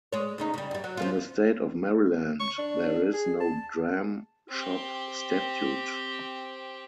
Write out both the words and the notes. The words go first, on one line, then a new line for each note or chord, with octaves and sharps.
In the state of Maryland there is no dram shop statute.
G#3 C#5
D#2 C#3 D#4
C#3 G3
F#2 G3
F#3
F3 C#4 F4
C#6
D4
G#4
A5
C4 G4